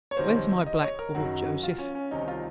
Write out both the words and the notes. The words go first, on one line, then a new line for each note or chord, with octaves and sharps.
"Where's my blackboard, Joseph?"
C#5
C2 C3 D#3 C5
D#5
C#5
A#4
F#1 F#2 D#3 F#4
F4
C#4
C#4
C2 C3 D#3 D#4
F4